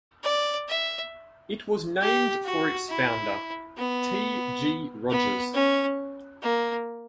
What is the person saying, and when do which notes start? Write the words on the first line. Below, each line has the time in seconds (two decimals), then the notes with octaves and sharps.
It was named for its founder, T. G. Rogers.
0.24 D5
0.68 E5
2.01 G4
2.45 F#4
2.89 E4
3.77 B3
5.10 B3
5.54 C#4
6.42 A#3